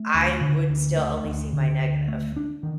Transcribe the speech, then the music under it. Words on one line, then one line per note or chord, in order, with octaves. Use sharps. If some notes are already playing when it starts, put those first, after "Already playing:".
I would still only see my negative.
Already playing: A3
D2
D3
D2
A3
D2
D3
D2
A3
D4
D#3